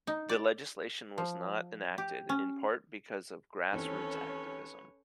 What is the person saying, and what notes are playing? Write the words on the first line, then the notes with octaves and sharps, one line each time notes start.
The legislation was not enacted, in part because of grass-roots activism.
D#4
D5
F3
G4
C#4
D#2 E3 C4 C#4 A4 B4 C#5